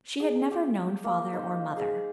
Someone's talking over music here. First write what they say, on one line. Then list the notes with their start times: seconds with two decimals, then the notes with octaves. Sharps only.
She had never known father or mother.
0.20 G#4
0.51 G4
1.04 A#3
1.33 D#4 C5
1.77 G#4